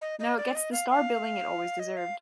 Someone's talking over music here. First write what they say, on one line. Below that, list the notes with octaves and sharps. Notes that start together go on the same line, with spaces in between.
Now it gets the star billing it always deserved.
D#5
D#5
D5
D#5
F5
F5
D#5
F5